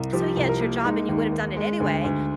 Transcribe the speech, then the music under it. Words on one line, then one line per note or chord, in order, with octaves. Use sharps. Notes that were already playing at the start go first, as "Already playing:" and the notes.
so yeah, it's your job and you would have done it anyway,
Already playing: C2
F3 G4
C2
A#4
A#3
G#3 D#4
D#2
D#2
G#3
D2
D2